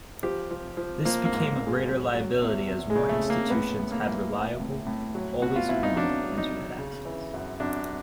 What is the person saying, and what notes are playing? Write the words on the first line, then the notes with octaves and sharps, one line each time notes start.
This became a greater liability as more institutions had reliable, "always-on" Internet access.
F3 G4
F3
F3
F3 A#3
A#3
G#2
G#2
G#3
F#3
F#3
E2
E2
G#3
C#3
A3
C#3
A#3
A2 B3
A2
A#3
E3
E3
A2
A2
F#3
B2 F#4
F4
B2 E4
D#4
F#3 D4
F#3
D#4
F#3
C#3
E3
F#2
F#2 D4